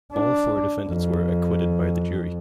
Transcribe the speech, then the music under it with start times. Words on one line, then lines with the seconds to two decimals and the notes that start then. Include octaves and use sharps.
All four defendants were acquitted by the jury.
0.13 D4
0.88 F2